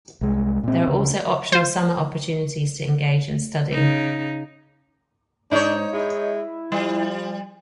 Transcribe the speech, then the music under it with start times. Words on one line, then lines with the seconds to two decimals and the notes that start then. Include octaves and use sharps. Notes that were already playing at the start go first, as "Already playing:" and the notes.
There are also optional Summer opportunities to engage in study.
0.21 C2 G#3
0.63 A#2 C4
0.87 D2 C#3
1.52 F4 C5
3.71 C#3 D#4
5.51 G#2 D4 D#4 C#5
5.93 G#3 E4
6.72 F3 G3